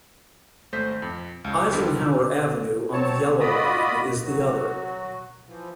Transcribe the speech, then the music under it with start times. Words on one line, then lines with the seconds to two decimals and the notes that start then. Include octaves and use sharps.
Eisenhower Avenue on the Yellow Line is the other.
0.73 G#1 A3 C5 G6 B6
1.02 F2
1.44 C#2 C#3
1.72 D3 B3 F4 G4 A4 A#4
2.92 F#3 C4 C#5 A5
3.40 F4 F#4 D5 D#5 B5 D#6
4.24 F#3 F#4
5.48 E3 F3